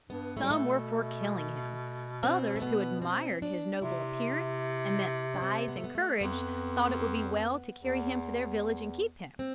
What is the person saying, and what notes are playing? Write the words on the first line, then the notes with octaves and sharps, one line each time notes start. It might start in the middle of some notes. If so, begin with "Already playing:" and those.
Some were for killing him; others, who admired his noble appearance, immense size, and courage, thought it would be well to carry him to their village and keep him.
G2 B3
A2 A3
G3
A3
B2
C4
A3
B3
C4
D4
C3 E4
D4
C4
B3
A3
B3
A3
F2 B3
E2
C4